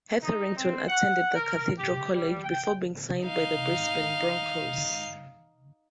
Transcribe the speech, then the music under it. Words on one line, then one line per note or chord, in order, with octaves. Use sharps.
Hetherington attended The Cathedral College before being signed by the Brisbane Broncos.
D#4
C4
F#5
A#4
G4
G3
G5
D#4 F5